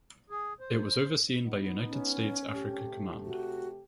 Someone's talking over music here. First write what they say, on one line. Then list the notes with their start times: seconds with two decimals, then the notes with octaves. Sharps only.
It was overseen by United States Africa Command.
0.30 G#4
0.60 C5
1.45 B3 D#4
1.89 C#4
2.55 C3 A3 G4
3.26 F#4